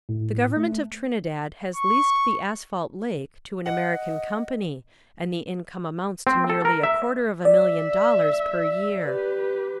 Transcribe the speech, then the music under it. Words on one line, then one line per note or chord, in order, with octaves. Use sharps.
The government of Trinidad has leased the asphalt lake to an American company and the income amounts to nearly a quarter of a million dollars per year.
A2
A3
C#6
D#5 F#5
C4
A4
A#4
E5
D5 E5
G4 B4